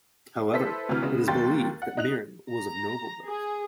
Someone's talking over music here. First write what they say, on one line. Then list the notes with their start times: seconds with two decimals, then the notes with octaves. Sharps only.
However, it is believed that Mirin was of noble birth.
0.53 E4 A4 B4 C5 E6 B6
0.89 D2 C3 E3 F#4 B4 F6
1.03 C#3 G#3 B3
1.28 D#2 F#3 G4 C6 A6
1.82 F#5
1.97 D#4 F#6 F7
2.50 A#5
3.27 G#4